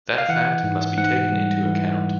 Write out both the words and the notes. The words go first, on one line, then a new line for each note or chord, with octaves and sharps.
That fact must be taken into account.
F5
E3 F#5
G#2
G#2 F#5
G3
E3